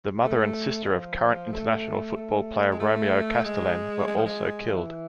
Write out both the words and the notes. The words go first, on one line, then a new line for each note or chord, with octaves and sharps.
The mother and sister of current international football player Romeo Castelen were also killed.
A3
G#3
F3
A3
A3
G#3
A3
G#3
G#3
F3
G#3
F3
E3